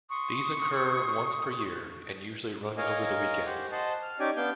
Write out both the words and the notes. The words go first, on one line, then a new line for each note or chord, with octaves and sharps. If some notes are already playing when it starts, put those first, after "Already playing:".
These occur once per year and usually run over the weekends.
C6 C#6 D#6
A#4 C#5 D#5 F5 G#5 A#5
G4 C5 F#5
C5 D#5 F#5 A5
F6
C#4 D#4 G4 D5 G#5
B3 D4 F5 G5 G6